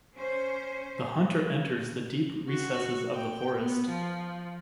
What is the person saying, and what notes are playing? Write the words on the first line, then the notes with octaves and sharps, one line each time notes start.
The hunter enters the deep recesses of the forest.
C#4 C5
F#4
G5
B3
F3